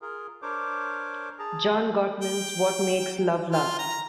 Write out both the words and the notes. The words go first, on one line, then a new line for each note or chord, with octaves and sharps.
John Gottman's What Makes Love Last?
F4 G#4 A#4
D4 A#4 C5 C#5 D6
G#4 A5 A#5
F#5 C6
G5
F4
A#5